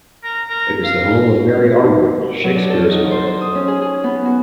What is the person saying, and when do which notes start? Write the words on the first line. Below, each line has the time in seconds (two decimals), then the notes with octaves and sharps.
It was the home of Mary Arden, Shakespeare's mother.
0.24 A#4
0.49 A#4
0.84 F5
1.34 F#4
1.80 D#4
2.02 A#4
2.44 F#3
2.56 D4
2.70 A4
2.90 D#4
3.11 C5
3.26 C5
3.41 D#6
3.55 C#4
3.68 G#4
3.82 G#4
4.04 B3
4.25 F#4